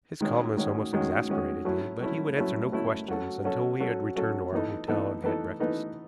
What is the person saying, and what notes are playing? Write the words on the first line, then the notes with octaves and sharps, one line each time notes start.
His calmness almost exasperated me, but he would answer no questions until we had returned to our hotel and had breakfast.
D#3 G#3 C#4 F#4
D#3 G#3 C#4 F#4
D#3 G#3 C#4 F#4
D#3 G#3 C#4 F#4
F#3 A3 C#4 E4
F#3 A3 C#4 E4
F#3 A3 C#4 E4
F#3 A3 C#4 E4
F#3 C#4 F#4 A4
F#3 C#4 F#4 A4
F#3 C#4 F#4 A4
F#3 C#4 F#4 A4
E3 B3 D#4 A4
E3 B3 D#4 A4
E3 B3 D#4 A4
E3 B3 D#4 A4